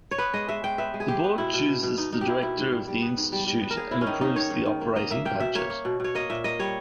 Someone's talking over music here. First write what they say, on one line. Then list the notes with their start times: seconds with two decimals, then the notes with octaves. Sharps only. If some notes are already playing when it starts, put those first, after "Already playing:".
The Board chooses the Director of the Institute and approves the operating budget.
0.11 C#5
0.18 B3 B4
0.34 G#3 D#5
0.49 G#3 E5
0.64 G#3 G5
0.78 B3 E5
0.94 G#3
1.00 G#4
1.08 G#3 G4
1.24 B3
1.38 B2 E4
1.53 B2
1.68 B2
1.83 B2
1.98 B2 D#4
2.12 B2 D#4
2.21 G4
2.28 A#3 E4
2.42 B2 E4
2.57 G#2
2.72 G3
2.88 G3
3.02 B3
3.17 G#2
3.32 G3
3.47 G3
3.61 B3
3.71 A#4
3.76 A#3 G#4
3.91 A#3 E4
4.01 C#4
4.07 D#3 D#4
4.21 A#3 D#4
4.36 D#3 C#5
4.50 G#2
4.66 D#3
4.81 A#3
4.96 A#3 D#5
5.11 A#3 E5
5.25 A#3 G5
5.40 B2 E5
5.55 A#3 C#5
5.70 A#3
5.85 B2
6.00 B2 C#5
6.15 A#3 D#5
6.30 A#2 E5
6.44 A#3 D#5
6.59 G3 C#5